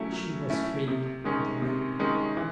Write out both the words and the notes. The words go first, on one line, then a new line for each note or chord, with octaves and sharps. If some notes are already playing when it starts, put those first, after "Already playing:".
She was free and alone.
Already playing: F#3 A3 C#4 E4
F#3
A3 C#4 E4
C3
D#3 G#3 C#4
C3
D#3 G#3 C#4
E3